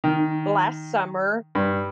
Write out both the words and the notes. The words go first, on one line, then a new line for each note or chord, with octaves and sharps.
last summer
D#3
G2